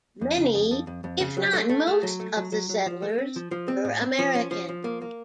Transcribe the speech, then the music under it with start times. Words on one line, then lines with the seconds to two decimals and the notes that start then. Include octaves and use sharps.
Many, if not most of the settlers, were American.
0.21 F2
0.38 C#3
0.55 F2
0.71 F2
0.87 F2
1.04 F2
1.20 C#3
1.37 F#3
1.53 A3
1.69 A3
1.87 A3
2.03 F#3
2.20 A3
2.37 F#3
2.52 F#3
2.69 F#3
2.86 F3
3.02 A3
3.18 C4
3.36 F3
3.51 F3
3.68 C4
3.85 A2
4.02 C4
4.19 F3
4.35 C#4
4.51 F3
4.68 F3
4.84 A#3
5.02 A#3